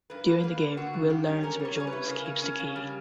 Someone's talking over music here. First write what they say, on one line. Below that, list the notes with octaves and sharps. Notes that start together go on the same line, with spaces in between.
During the game, Will learns where Jones keeps the key.
G2 B4
A#3 B4
A#3 B4
D3
D3 F#4
G2
G2 G4
C#4
C#4 A#4
G3
C#5
C#4 C#5
B4
E4
C#3 A#4
C#4
C#4
C#3
G3